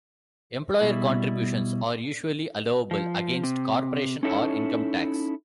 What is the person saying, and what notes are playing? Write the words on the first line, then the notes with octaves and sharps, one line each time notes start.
Employer contributions are usually allowable against corporation or income tax.
B2 G3 E4
F3
C3
C#4 D#4 E4 A4 C#5